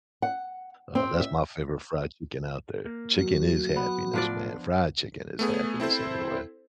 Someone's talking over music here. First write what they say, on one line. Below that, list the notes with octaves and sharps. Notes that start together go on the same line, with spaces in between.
Uh, that's my favorite fried chicken out there. Chicken is happiness, man. Fried chicken is happiness, anyway,
F#5
C4
E5
A#3
F#3 F#4
B3
A2 F3 D4 F4 D5
A3 B3 G#4
C4 E4 A4 C5